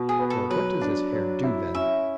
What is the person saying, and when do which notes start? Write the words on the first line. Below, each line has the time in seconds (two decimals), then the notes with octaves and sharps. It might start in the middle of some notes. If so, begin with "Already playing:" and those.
"Well, what does his hare do, then?"
Already playing: B2
0.09 G#4
0.19 B3
0.30 A4
0.50 F#3 B4
0.82 D4
1.13 F#3
1.44 E4
1.75 C#4 E5